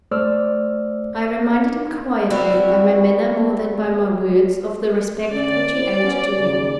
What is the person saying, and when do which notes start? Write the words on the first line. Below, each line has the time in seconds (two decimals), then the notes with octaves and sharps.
I reminded him quietly, by my manner more than by my words, of the respect which he owed to me.
0.11 A3 C5 D5 E6 F6
2.30 G3 C4 E4 F#4
5.31 D3 C#4 D5
5.72 E4 C5 C#5
6.02 B3 C#4
6.37 D#2 C#3